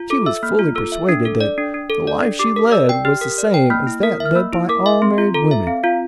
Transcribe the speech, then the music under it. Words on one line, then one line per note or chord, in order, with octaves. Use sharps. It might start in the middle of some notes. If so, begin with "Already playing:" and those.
She was fully persuaded that the life she led was the same as that led by all married women.
Already playing: F4
A4 D6
E5 E6
A#3 F6
F4
A4 E6
E5
D4
A4
D5
D4
D4
A4
D5
D4
G4 D6
A#4
D5 E6
G5
G4 F6
A#4
D5
G5
A#3 F6
E4
A#4
E5
F6
A#3 E6
E4
A#4 D6
E5
C4 C6
F4
A4 A#5
E5
C4 F5
F4 F5